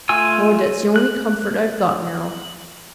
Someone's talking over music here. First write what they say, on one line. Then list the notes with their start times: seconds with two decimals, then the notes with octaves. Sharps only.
Lord, that's the only comfort I've got now!
0.09 A3 F4 G#5 E6
0.96 F#6